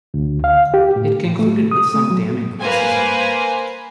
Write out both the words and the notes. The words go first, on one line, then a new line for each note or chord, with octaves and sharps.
It concluded with some damning criticism.
D2
F5
G4
A2
A3
D#6
A3
F#3
A#3 B4 C5 G#5